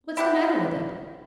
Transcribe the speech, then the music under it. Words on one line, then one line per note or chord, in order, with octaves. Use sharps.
What's the matter with it?'
E4 G4 A4 F#5